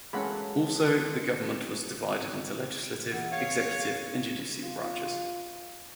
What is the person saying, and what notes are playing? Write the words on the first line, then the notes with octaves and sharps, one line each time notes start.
Also, the government was divided into legislative, executive and judicial branches.
E3 F#3 G#3 A#3 C#4 A4 F#5 B5
E2 E5 B5
C#4 G#4 C#5 F5
F5
F4